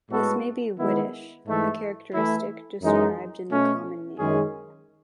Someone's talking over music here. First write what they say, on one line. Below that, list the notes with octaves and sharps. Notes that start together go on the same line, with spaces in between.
This may be whitish, a characteristic described in the common name.
A2 G#3 B3 F#4 A4
D#3 G#3 B3 E4
G#2 E3 A3
E3 A3 E4
F#2 E3 G#3 D#4
B2 A3 C#4
F#2 D#3 G#3 C#4 G#4